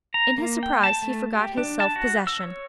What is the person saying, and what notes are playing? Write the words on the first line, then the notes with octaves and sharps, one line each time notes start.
In his surprise he forgot his self-possession.
A#5
A#3
G5
A5
A3
G4
D4
A5
F#4
E6
C#5